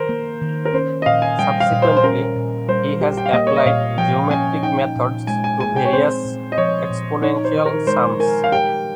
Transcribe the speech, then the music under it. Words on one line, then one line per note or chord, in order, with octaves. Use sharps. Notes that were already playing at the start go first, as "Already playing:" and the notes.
Subsequently, he has applied geometric methods to various exponential sums.
Already playing: D#3 A#4 C5
A#3
D#3
A#4
C#4 C5
D#5
A#2 F5
G#5
G3 G5
F5
A#2
C5
C5
C#4 A#4
A#2
G3 C5
G4
G5
F5
A#3 D#5
C#5
D#5
A#2 F5
F3 G5
C#4 G#5
D#4 G5
A#2
G#3 G#5
G#5
G#4 G#5
G5
C#5
C4 C5
A#2
D#5
F3 C#5
A#2
D#4 C#5
C5
D#3
A#4
G#3 C5
A#4 G#5
F5
G4 G5